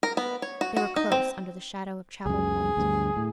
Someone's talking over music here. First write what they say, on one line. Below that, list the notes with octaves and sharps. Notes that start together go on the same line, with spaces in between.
They were close under the shadow of Chapel Point.
A#4
B3
C#5
F#4
F#4
D#4
C4
C#2 F#2 G#4
D2 G2
A2